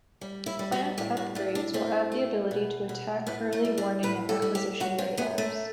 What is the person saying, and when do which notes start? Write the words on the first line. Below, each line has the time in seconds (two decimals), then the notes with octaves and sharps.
Planned upgrades will add the ability to attack early warning and acquisition radars.
0.21 G3
0.46 E4
0.59 G3
0.72 F#4
0.98 A2 G4
1.17 F#4
1.35 A2 D4
1.55 D4
1.73 A3 C4
2.12 A3
2.51 B2
2.89 B2
3.26 A2 B3
3.53 A3
3.65 G3
3.78 D4
4.03 A2 B4
4.29 A4
4.42 G3
4.55 G4
4.80 F#3 F#4
4.98 C4
5.17 F#2 B3
5.38 A3